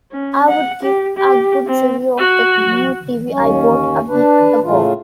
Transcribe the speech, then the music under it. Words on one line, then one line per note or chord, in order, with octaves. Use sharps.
I would give a good review of the new TV I bought a week ago.
C#4
F#5
G4
G4
C4
F#4
D#2 C#4
D4 B4
A2 C#3 A3 F4